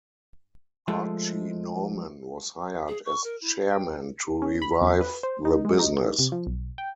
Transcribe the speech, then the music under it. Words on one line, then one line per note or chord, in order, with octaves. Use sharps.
Archie Norman was hired as chairman to revive the business.
F3 G#3 A3
G#4
C#6
A#4
E4
G5
C#4
B5
E2
B4
C5
D#4
G#3
D#4
C3
F3
B1
G5